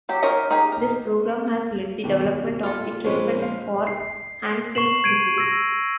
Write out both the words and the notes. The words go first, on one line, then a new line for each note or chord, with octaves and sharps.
This Program has led the development of the treatments for Hansen's Disease.
F#3 G4
C#4 D#4 A#4 C5 C#5
D#4 G4 G#4
A#4
D#2 B2 G4
A#2 F4 A4 F6
A#1 G#3 C4 C#4 B4 C5
C5 F5
C7
C#6 C7 E7 F#7
G#6 C7 D7 D#7
E6 A#6